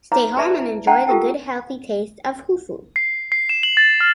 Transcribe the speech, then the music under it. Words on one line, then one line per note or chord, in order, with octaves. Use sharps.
Stay home and enjoy the good healthy taste of hufu.
D#4 B4 C#5 F5 A#5 D6
G#4 B4 D5 E5 A5
E4
D4 C5 F#5 G5 A5 A#5
F4 G4 A4 A#4 G5 A5
C7
C7
E7
F#7
A6
F6